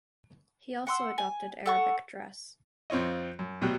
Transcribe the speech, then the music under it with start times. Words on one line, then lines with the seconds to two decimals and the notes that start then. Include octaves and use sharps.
He also adopted Arabic dress.
0.87 F#5 C6 E6
1.18 G#5
1.66 A4 F#5 C#6
2.90 F2 C4 F4 C#5 D#5
3.39 F#2
3.61 D2 B2 F#3 G3 G5 F#6